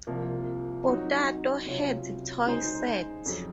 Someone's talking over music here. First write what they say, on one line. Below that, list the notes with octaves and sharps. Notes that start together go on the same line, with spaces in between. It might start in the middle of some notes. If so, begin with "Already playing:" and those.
Potato Head toy set.
C2 C3 F3 A#3
F#3 C4 D#4 F#4
C#2 C3 F#3 C#4 F4
C#3 G#3 D#4 G#4 C5
F2 C#3 F#3